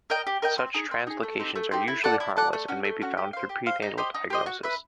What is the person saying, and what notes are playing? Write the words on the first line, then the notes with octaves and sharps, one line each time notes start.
Such translocations are usually harmless and may be found through prenatal diagnosis.
A#4 D#5 G5
G4
A#4 D#5 G5
C4
D#4 G#4
C4
D#4 G#4
A3
C4 D#4 G4
A3
C4 D#4 G4
E4
A4 D5 F#5
E4
A4 D5 F#5
A3
C#4 F#4
A3
C#4 F#4
G4
C5 F5
G4
C5 F5
D#4
G4 C5 D#5
D#4
G4 C5 D#5
F#4
B4 E5